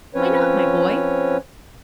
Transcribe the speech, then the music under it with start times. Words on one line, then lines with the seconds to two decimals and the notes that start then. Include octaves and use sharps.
"Why not, my boy?"
0.14 F3 C4 C#4 B4 C#5